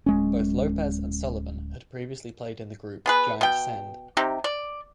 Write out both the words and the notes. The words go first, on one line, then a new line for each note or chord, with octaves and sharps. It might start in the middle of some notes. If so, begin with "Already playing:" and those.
Both Lopez and Sullivan had previously played in the group Giant Sand.
D1 G#3 C#4
B3 G#4 B4
B2 G5
C3 C4 D#4 G4
D5